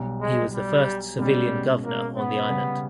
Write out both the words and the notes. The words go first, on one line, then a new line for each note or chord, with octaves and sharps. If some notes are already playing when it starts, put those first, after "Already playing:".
He was the first civilian governor on the island.
Already playing: B1 B2 G3
G#3
G3
B2 G3 G#3 C#4
A#3
B3
C#3 G3 C#4